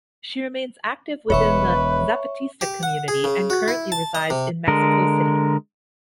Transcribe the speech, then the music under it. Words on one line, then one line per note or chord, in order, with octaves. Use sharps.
She remains active within the Zapatista community and currently resides in Mexico City.
E1 E2 B4 C#5 E5 C#6
G4
F#5
G#4
C#3
F#4
E4
A5
D#5
C3
D3 G#3 A#4